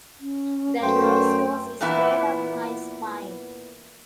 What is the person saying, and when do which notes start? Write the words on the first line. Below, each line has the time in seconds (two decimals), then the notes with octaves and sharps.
That noise goes straight up my spine.
0.20 C#4
0.82 F#2 A3 B4 C5 G5
1.81 E2 A#2 E3 B3 E4